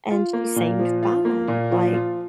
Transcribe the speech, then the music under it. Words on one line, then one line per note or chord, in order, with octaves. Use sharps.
and she seemed fine. Like
F4
A#3
A#2
F3
F4
A#3
A#2
F3
F4